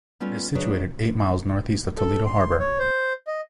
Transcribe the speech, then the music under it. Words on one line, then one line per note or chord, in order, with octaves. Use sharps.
It is situated eight miles northeast of Toledo Harbor.
G3 B3 C#4 F4 A4
E3 F#3 D4 G#4 B4 C#5
A4
C6
C#5
C5
D#5